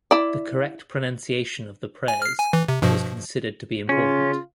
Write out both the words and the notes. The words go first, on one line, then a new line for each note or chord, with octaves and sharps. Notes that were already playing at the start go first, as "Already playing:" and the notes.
The correct pronunciation of the prayers was considered to be important.
E4 D5
G#5
F6 C7
G#5
E3
C3
G2 B2 F3
C#3 C#4 F4